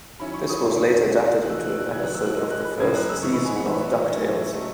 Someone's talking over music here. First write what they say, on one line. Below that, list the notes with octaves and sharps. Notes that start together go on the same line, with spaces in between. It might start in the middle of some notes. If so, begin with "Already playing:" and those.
This was later adapted into an episode of the first season of "DuckTales".
D#3 F#3 C#4 E4 B5
C#6
D#6
F#2 D#3 F#3 A3 E4
C#3 G#3 D#4
F#6
A2 E3 A3 D#4 E6
F#6
F#6
D#3 F#3 B3 E4 G#6
F#6
E6
F#6
D#3 G#3 D#4 F#6
F#6
B5
F#2 C#3 G#3 G#6
F#6
E6
G#2 E3 B3 D#4 C#6
B5
G#5
F#5
A2 E3 A3 E5
D#5
A2 F#3 C#4 E4 E5
C#3 F#3 A3 D#5